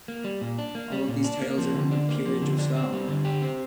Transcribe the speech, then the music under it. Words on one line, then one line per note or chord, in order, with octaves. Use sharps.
All of these titles are in the Peerage of Scotland.
A#3
G3
A#2
D4
A#3
G3
A#2
D4
A#3
F3
D3
D4
A#3
F3
D3
D4
C4
G3
D3
G4
C4